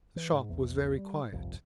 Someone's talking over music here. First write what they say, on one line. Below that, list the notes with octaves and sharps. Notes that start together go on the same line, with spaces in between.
The shop was very quiet.
E3
G#2
A#1 E2
G3
G1 C2 F2